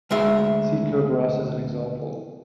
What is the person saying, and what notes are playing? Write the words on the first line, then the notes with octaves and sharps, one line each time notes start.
See Kerberos as an example.
D2 G#3 E5